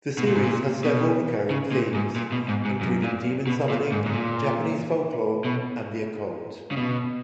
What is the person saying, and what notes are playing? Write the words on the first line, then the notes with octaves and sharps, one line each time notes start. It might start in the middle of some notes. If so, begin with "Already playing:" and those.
The series has several recurring themes, including demon-summoning, Japanese folklore, and the occult.
B2
A#2
G#2
A#2
B2
C#3
A#2
G#2
A#2
B2
G#2
G#2
F#2
A#2
B2
A#2
G#2
G#2
A#2
B2
C#3
B2